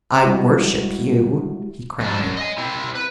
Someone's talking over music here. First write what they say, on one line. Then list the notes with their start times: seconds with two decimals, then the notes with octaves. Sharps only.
"I worship you," he cried.
0.23 G3 G#3 E4 F#4 G4
2.00 F2 D4
2.19 F#2
2.37 D#5 G#5
2.58 C4 E4
2.95 B4